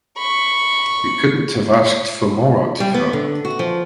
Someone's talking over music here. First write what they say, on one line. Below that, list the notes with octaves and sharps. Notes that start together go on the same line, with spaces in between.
We couldn’t have asked for more out of her.
B5 C#6
G3
B3
D3
F#4
F3